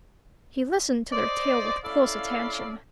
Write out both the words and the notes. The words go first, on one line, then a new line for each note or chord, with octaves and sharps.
He listened to their tale with close attention.
C5 D5 D#5
C#4 E4 A4 D5 F5